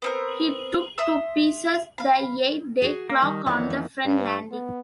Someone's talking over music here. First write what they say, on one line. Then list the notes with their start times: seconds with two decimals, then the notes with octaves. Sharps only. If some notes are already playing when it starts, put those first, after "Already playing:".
He took to pieces the eight-day clock on the front landing.
0.02 B3 C4 A#4
0.98 E5 C6 D#6 E6
1.98 F5 B5
2.82 F#4 G#4
3.10 A#3
3.22 D#3 G3
3.46 F2 D#3 E3 C#5 D5 F#5
3.70 A#3
4.05 G2
4.51 B3